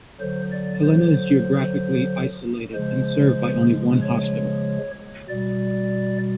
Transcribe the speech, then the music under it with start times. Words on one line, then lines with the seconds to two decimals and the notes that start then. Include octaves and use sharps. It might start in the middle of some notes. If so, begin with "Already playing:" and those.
Helena is geographically isolated and served by only one hospital.
0.20 D3 F#3 C5
0.52 D5
0.84 C5
2.74 C#3 F3 G#3 C5
4.02 C#5
5.29 B2 G3 D5